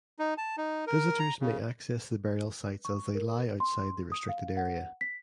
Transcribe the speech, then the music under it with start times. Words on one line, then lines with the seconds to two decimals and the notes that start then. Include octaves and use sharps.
Visitors may access the burial sites as they lie outside the restricted area.
0.19 D#4
0.38 A5
0.58 D#4
0.87 A#4
1.19 A#5
1.41 C#3
2.85 C#6
3.15 A#4
3.60 C6
4.12 D#6
4.29 F5
4.57 F#5
5.01 B6